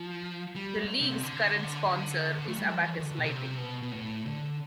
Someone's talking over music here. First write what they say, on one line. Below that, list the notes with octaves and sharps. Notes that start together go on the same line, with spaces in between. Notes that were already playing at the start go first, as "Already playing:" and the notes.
The league's current sponsor is Abacus Lighting.
Already playing: F3
G3
C3
D3
A3
G3
F3
E3
E3
D3
B2
C3
B2
B2
A2
D3